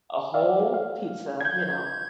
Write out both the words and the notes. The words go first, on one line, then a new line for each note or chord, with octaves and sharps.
a whole pizza, you know,
D5 E5 F5
F5
G6 G#6